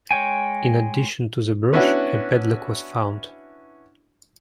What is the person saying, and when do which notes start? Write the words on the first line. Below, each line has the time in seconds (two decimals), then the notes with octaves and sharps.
In addition to the brooch, a padlock was found.
0.11 G#3 C#5 G5 G#5
1.73 B3 C#4 D4 E4 F#4